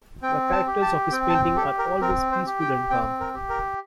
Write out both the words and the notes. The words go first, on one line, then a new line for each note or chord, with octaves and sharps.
The characters of his paintings are always peaceful and calm.
C4 G5
A5
G4
A5
C4 G5
A5
G5
G4 A4
A#4
C4 A#4
C5
G4
G5
C4 G5
A#4
G4
A#4